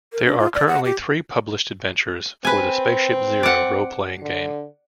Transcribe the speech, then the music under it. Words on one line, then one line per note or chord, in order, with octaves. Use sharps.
There are currently three published adventures for the Spaceship Zero roleplaying game.
A#4
D4
F4
D5
F#5
G4
C4 B4 G#5
D5 F#5
D3